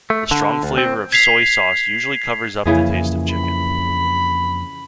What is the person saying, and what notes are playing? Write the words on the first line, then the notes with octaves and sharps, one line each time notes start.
The strong flavour of soy sauce usually covers up the taste of chicken.
A3
D3
D2
C4
G#6 B6 C7 F7
F2 C#3 E3 A#3 G#4
B5